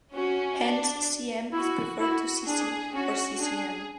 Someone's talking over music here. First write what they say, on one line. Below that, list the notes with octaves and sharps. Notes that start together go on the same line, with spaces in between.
Hence cm is preferred to cc or ccm.
C#4 F#4
D4
E4 F#4
E4 F#4
D4 G#4
C#4 F#4
D4 G#4